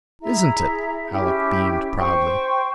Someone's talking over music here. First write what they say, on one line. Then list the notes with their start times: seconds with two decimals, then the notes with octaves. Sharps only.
"Isn't it?" Alec beamed proudly.
0.21 E4 G#4 E5 A#5
1.10 C#4 E4 G4
1.98 C5 G5 C#6